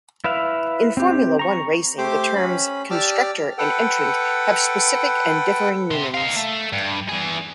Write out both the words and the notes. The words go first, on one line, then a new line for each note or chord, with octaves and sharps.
In Formula One racing the terms "constructor" and "entrant" have specific and differing meanings.
E4 B4 E5 F5
C4 G4
A#5 C#6
A3 G4 C5 G5 D6
C#4 B5
G4 D5 A5 D6 E6 F6
A4 B4 F#5 G5
C3 C6
D#4 F5
A3
G2
E3 G#4